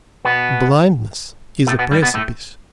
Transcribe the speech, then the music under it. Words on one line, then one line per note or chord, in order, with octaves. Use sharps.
Blindness is a precipice.
B2 B3
A2 A3
B2 B3
G2 G3
B2 B3
A2 A3